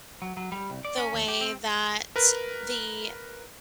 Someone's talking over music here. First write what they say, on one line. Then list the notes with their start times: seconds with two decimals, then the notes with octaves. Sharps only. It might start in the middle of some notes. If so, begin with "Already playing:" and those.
the way that the
0.22 F#3
0.37 F#3
0.52 G3
0.70 C2
0.85 D5
0.97 C#4
1.14 D#2
1.28 G4
1.41 C4
2.16 A#4 B4